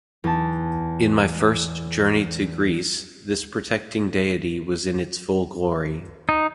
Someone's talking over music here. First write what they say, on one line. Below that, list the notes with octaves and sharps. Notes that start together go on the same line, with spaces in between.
In my first journey to Greece, this protecting deity was in its full glory.
E2 A5
D#4